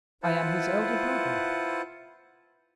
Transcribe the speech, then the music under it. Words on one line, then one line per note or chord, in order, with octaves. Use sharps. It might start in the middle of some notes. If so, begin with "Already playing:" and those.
"I am his elder brother."
E4 F4 B4 C5 F#5 A5